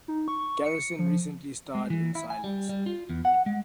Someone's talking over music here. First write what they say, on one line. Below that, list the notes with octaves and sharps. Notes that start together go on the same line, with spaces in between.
Garrison recently starred in Silence!
D#4
C#6
C#7
F3
G#3
E3
E4
G#5
G3
G3
F4
E2
F#5
G#3